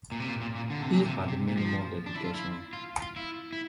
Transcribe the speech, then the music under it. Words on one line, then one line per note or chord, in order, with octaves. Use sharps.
He had minimal education.
A#2
C3
A#2
A#2
A#2
D3
C3
A#2
C3
C3
A#2
F3
D4
E4
F4
E4
F4
F4
E4
E4